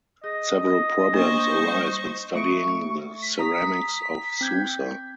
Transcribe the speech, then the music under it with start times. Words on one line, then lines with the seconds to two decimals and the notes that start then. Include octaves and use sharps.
Several problems arise when studying the ceramics of Susa.
0.24 G#4 D#5
1.14 A#3 D4 C5 C#6
1.58 G3
2.35 A3 C#6 D7
3.22 B6
3.39 A#5 D#6
4.41 C4 G6 G#6